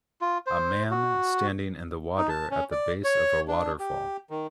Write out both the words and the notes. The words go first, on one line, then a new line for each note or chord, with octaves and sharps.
A man standing in the water at the base of a waterfall.
F4
C5
F#4
D#4
A5
C#4
D5
C#5
D4
G4
D#3